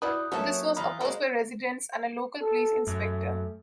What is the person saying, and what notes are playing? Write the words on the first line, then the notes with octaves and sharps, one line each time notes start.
This was opposed by residents and a local police inspector.
E4 F#4 B4 D5 F#5 D#6 F#6 G6
F#3 A#3 B3 C#4 D#4 A4 C#5 E5
E3 F4 A#5 B5 F6
F#3 G#3 A#3 C4 C5
A4
F#2 A3